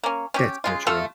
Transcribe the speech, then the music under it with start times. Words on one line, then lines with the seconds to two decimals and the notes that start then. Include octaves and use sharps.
That's so true.
0.04 A#3 C#4
0.34 C#4 G4
0.64 C#3 G#3 F4
0.87 A3 F4 A4 F5